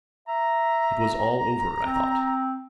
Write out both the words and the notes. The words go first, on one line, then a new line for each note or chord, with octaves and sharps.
It was all over, I thought.
E5 A#5
C4